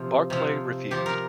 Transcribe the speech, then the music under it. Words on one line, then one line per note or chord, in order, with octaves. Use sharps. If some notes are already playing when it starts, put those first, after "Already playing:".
Barclay refused.
Already playing: C3 F3
C3 F3
C3 F3 G4
A#4